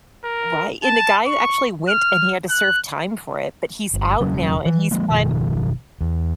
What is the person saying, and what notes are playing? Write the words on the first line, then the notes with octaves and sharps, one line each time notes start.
Right. And the guy who actually went and he had to serve time for it, but he's out now and he's plani
A#4
A5
C#6
F6
F#6
G1
E1 C#3 F#3 C#4
E3
F3 G#3 A#3
F#1 B2 D#3 F3
E2